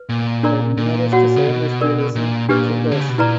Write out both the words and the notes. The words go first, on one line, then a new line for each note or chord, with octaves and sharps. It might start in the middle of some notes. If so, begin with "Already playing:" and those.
The nearest secondary school is in Childers.
Already playing: B4
A#2
D4 A#4 D5 A#5
A#2
F#4 C#5 F#5
C#3
B2
D4 A#4 D5
A#2
A#2 D4 G4 B4
D3
C#3
B2
A#2 E4 B4 D5 A#5